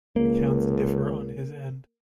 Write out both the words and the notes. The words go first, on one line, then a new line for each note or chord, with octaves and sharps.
Accounts differ on his end.
C#2 A#3